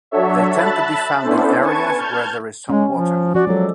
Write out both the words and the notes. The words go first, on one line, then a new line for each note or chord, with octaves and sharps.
They tend to be found in areas where there is some water movement.
F#3 D4 F#4 A4 C#5 E5
E5 A5 B5 F#6 A6
B3 C#4 D4 E4 A4 C5
B4 G#5 A5 C#6 G#6
A5 F6 G6 G#6
G#3 C#4
F3
F3 F#4 D5
F#3 G#3 A4